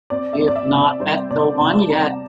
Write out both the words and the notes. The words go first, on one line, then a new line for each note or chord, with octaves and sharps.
You’ve not met the one yet.
C4 D5
E5
C4
D5
E5
C3
D5
G3 C5
C3 D5
C3 A5
G3 A#5